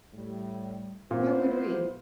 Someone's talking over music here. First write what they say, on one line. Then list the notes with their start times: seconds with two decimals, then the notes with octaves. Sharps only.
Why would we?
0.14 A2 G3
1.11 A#2 B3 E4 C5